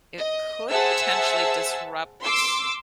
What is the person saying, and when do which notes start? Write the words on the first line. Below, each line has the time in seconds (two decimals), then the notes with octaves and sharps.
it could potentially disrupt
0.18 D#5
0.69 G#4 C5 E5 F#5 A5 E6
2.22 C6 D6 E6